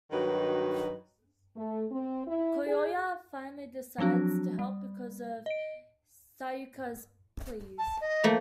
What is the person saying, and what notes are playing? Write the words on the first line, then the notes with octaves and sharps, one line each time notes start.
Kyoya finally decides to help because of Sayaka's pleas.
G2 D#3 F#3 D#4 F#4 B4
A3
C4
E4
G#4
F3 F#3 C4 D4 F#4
G3
D#5 D7
A5
D#5
F3 A3 A#3